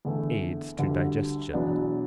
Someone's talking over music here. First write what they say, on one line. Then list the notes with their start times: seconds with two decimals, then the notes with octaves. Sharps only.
Aids to digestion.
0.05 E2 D3 A3
0.79 D2 D3 G3
1.54 E2 B2 F#3 B3 D4